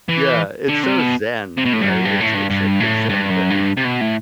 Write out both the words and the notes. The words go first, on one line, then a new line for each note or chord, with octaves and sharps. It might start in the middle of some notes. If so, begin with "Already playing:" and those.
Yeah. It's so Zen, right? It's it's such a Zen thing.
E3
D3
C3
B2
C3
B2
A2
G2
F#2
G2
A2
G2
G2
A2
G2
F#2
G2
C3
B2
A2